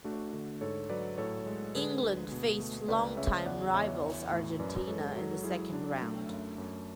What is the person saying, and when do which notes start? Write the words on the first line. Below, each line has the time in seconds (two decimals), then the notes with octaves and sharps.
England faced long-time rivals Argentina in the second round.
0.04 A3 D4 F#4
0.33 D3
0.61 G#2 A4 C#5
0.90 F#3 B4 D5
1.18 A2 A4 C#5
1.46 G#3
1.75 D3 G#4 B4
2.03 D2
2.32 B2
2.60 A3
2.88 C#2 B4 D5
3.17 C#3 C#5 E5
3.45 E2 D5 F#5
3.74 E2 C#5 E5
4.02 E3
4.31 A2
4.59 F#2 B4 D5
4.87 G#3 A4 C#5
5.16 F#3 A4 C#5
5.44 F#3 E4 G#4
5.73 F#3 D4
6.02 A3
6.29 F#2
6.58 F#2